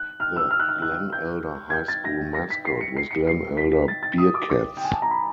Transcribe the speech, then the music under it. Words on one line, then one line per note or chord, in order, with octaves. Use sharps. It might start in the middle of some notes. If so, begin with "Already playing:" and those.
The Glen Elder High School mascot was Glen Elder Bearcats.
Already playing: F#6
F6
E6
F6
F#6
F6
F#6
G6
G#6
G6
A6
A#6
A#6
B6
C7
C#7
C7
C#7
C7
B6
A6
A6
D#6
D6
D6
G5
G#5
A5
A#5
B5